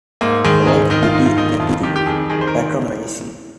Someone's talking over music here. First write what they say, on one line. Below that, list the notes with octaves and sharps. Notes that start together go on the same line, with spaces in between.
All the pity and the patronizing.
G#2 A#3
D#3 G#3
G#2 G#3
D#3 D#4
F4
G#2 D#4
F4
D#3 D#4
F2 F4
D#3 G4
G4
F2 G#4
D#3 G#4
C5
A#4